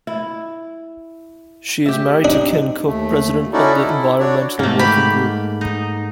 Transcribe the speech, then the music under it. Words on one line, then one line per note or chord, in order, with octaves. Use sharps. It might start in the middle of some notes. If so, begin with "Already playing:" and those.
She is married to Ken Cook, president of the Environmental Working Group.
E4
G4 E5
C4 D4 D#4
D#2 A3
C#4 D#4 E4 F#4 A4 D5
E4 A4
D4 F#4 C#5 D5
G#2 A3 A#3
G4 B5
D#4